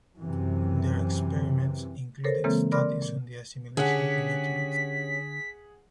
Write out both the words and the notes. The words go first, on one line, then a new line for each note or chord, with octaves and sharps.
Their experiments included studies on the assimilation of nutrients.
F#2 C3 E3
A4 A#4 C5 C#5
C#3 E3 G#3 A#3 C4 A4
A#4 D5 B5 C6 D6 F6
A#2
D3 C#4 G4 G#4 F#5 B6